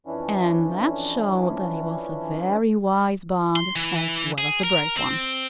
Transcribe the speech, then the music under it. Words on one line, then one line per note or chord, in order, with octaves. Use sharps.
And that showed that he was a very wise bug as well as a brave one.
F2 E3 C#4 D4 E4
C6
E3
G#4
A#4
C4